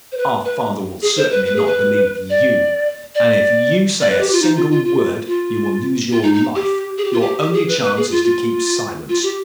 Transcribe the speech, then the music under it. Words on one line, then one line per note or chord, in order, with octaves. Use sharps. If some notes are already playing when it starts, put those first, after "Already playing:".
Our father will certainly not believe you, and if you say a single word you will lose your life; your only chance is to keep silence.'
C5
B4
B4
G#4
C5
B4
B4
G#4
B4
D5
D5
D5
B4
G4
F4
D#4
F4
F4
F4
F4
F4
D#4
D#4
G4
G#4
G4
F4
G4
G4
G#4
B4
B4
G#4
F4
F4
F4
G4